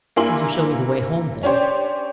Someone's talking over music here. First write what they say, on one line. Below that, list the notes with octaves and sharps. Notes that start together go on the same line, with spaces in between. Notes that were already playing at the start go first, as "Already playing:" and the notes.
"Will you show me the way home, then?"
G2 A#3 E4 G#5 C6 F#7
C#4 D4 G4 C5 C#5